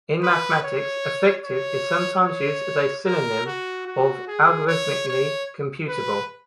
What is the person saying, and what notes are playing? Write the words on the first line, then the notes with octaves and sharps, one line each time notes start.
In mathematics, "effective" is sometimes used as a synonym of "algorithmically computable".
B4
C#5
C#5
C#5
A#4
F#4
F#4
G#4
C#5
C#5
B4